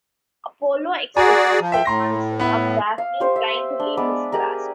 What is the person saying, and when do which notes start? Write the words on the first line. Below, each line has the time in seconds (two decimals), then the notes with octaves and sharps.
Apollo expresses his concern of Daphne trying to leave his grasp.
1.17 F#4 G#4 D5 G#5 A#5
1.60 F3
1.72 E5 G5
1.85 A2 A#5 C6 A#6
2.40 B3 E4
2.98 F5
3.20 G4 C5 C#6
3.36 E5
3.80 D4
3.97 G#3 B3 B4 D5
4.32 G4 G#4 A#4